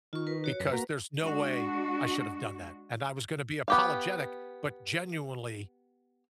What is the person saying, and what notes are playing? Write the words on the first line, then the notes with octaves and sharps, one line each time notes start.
because there's no way I should have done that, and I was going to be apologetic, but, genuinely
D#3 F4 C#6
A#4 B4
F#4 C#5
F#2 B4
A#3 F#4 A#5
G#3 D4 F#4
B3 G4 F5